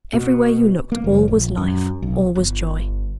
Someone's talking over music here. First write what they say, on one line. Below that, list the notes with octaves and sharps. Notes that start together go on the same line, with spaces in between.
Everywhere you looked, all was life, all was joy!
B2
A#3
F#1
A#1
F#2
B1
G1